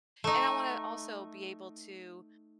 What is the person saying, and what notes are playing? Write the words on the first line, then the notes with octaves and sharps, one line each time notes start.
and I wanna also be able to,
A3 D#4